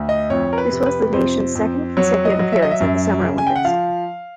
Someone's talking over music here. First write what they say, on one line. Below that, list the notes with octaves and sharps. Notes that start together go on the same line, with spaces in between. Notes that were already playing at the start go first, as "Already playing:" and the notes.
This was the nation's second consecutive appearance at the Summer Olympics.
Already playing: D2
D#5
F2 C#5
A#4
B4
C3
B4
F2 C5
F2
F#3 C#5
D#5
F#3
E5
D#5
E5
F#2
C#3
G#5
G5
F#5
F3 F5